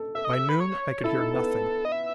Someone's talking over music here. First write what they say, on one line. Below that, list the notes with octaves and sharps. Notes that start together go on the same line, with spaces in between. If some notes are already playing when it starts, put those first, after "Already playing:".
By noon I could hear nothing.
Already playing: A4
A4 E5
D#5
E5
B4
C#5
E4 A4
D#4
B3
D#5
E5